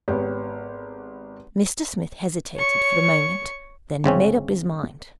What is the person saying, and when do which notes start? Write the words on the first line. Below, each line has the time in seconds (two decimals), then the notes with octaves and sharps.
Mr Smith hesitated for a moment, then made up his mind.
0.08 G#1 B3 G4 C#5
2.56 C#5 C#6
4.04 G1 C#3 C4 C#4